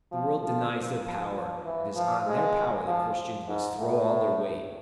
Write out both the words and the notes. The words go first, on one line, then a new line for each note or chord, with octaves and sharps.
The world denies their power: it is on their power that Christians must throw all their weight.
F3
F3
F3
F3
E3
F3
G#3
F3
G#2
A2